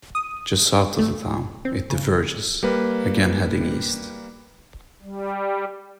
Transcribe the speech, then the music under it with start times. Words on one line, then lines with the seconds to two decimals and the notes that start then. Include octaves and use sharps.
Just south of the town, it diverges, again heading east.
0.15 D#6
0.99 A3
1.65 C4
1.90 C#3
2.63 G3 A#3 B4
5.02 G3